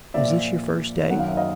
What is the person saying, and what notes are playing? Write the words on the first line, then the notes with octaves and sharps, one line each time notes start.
Is this your first day?'
A#2 F3 D5 E5
F#2 D#3 F#5
F5
E5
D#5 F5